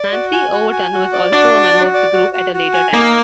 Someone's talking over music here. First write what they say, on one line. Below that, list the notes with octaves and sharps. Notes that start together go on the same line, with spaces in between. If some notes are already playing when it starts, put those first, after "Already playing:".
Nancy Overton also was a member of the group at a later time.
Already playing: D5
F#4
G#5
F#4
G#5
F#4
D5
D4 F#4
F#4
F#4
D5
F#4
F#4
F#4
G#5
A#3 D#4